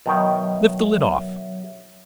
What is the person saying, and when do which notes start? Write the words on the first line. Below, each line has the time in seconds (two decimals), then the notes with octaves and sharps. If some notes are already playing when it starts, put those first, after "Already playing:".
"Lift the lid off!"
0.06 B2 D#3 F#3 C#5 E5 G5